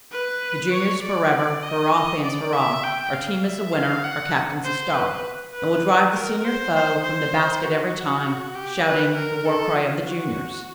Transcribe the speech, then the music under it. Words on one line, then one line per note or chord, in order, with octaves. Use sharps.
"The juniors forever, hurrah, fans, hurrah! Our team is a winner, our captain's a star. And we'll drive the senior foe, from the basket every time. Shouting the war cry of the juniors."
B4
C#5
D5
D#5
D#5
D5
E5
G5
F5
E5
F5
F#5
C5
B4
B4
A#4
C5
C5
C5
F#4
G4
B4
A#4
A4
F4
F#4